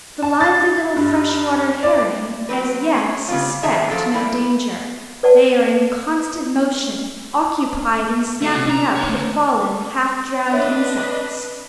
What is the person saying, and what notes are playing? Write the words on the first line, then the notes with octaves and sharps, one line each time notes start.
The lively little freshwater herring as yet suspect no danger; they are in constant motion, occupied in snapping up the fallen, half-drowned insects.
A5
A6
G2
D5
F#3 C4 B4
C#4
C#3 G3 F4
G#2 D#3 G#4 E5 A5
F3 F#3 A#3 C#4 A4
G3 A3 C4 E4
B4 D5 F#5 A5
A3 F#4
C3
A#5
D#4 C#5
D3 A3
D4 B4 C#5 D#5 E5